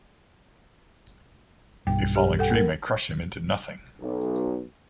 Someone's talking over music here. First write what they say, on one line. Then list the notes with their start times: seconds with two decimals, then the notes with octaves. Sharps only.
A falling tree may crush him into nothing.
1.87 B1 G2 G5
2.16 G4
2.39 A4 F#5 G5
2.50 A#3 A#4
4.00 B1